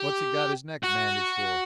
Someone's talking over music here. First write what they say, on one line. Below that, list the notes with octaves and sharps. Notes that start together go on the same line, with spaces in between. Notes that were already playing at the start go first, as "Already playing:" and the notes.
What's he got his neck bandaged for?
Already playing: G4
F#4